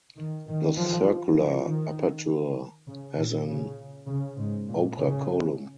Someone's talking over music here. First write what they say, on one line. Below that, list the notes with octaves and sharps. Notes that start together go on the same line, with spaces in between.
The circular aperture has an operculum.
D#3
D#3
F3
F3
D#3
C#3
A#2
C#3
C#3
G#2
A#2
C#3